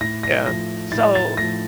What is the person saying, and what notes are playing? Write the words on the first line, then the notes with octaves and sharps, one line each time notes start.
yeah, so
A2 A#6
A#6
F3 A3 A#6
A2 A6
A6
F3 A3 A#6